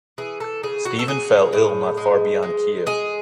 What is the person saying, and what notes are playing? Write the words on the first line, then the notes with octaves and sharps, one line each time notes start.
Stephen fell ill not far beyond Kiev.
E3 G#4
A4
C#3 G#4
F#4
A4
F#3 G#4
A2
G#3
G#3
G#3 G#4